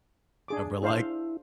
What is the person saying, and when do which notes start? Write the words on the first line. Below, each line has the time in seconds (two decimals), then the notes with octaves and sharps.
And we're like,
0.48 D4 G#4 D6
0.83 D4 E4 C5 F5